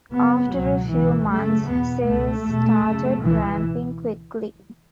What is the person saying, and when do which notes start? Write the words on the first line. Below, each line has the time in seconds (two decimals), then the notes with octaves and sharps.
After a few months, sales started ramping quickly.
0.13 F#2 C#3 B3
0.52 C#2 B2 F#3
0.90 C#2 B2 E3
1.29 F#2 C#3 A3
1.68 E2 B2 B3
2.06 C#2 B2 A3
2.45 E2 B2
2.83 F#2 C#3
3.22 C#2 B2 E3